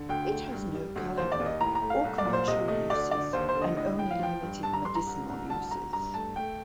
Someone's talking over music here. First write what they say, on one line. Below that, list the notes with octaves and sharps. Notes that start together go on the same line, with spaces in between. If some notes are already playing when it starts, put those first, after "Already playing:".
It has no culinary or commercial uses and only limited medicinal uses.
Already playing: D3
D2 G5
A3
G2
G3
D2
D#2 C5
D5
D#2
D#5
A2 A#5
A#5
A3
F5
C2
D5
A#2
C5
C3 D#5
A3 D#5
D2 D5
D3 D5
D#2 C5
C5
D3
D#5
A2 D#5
A2 G5
F5
F3 G5
G2
G2 A5
A#5
G2 C6
A#5
C2
C2
D2 A5
D2 A#5
G2 A#5
A3 A5
A3 G5